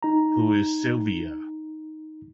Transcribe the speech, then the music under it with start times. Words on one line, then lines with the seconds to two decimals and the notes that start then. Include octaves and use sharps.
Who Is Sylvia?
0.03 D#4 A#5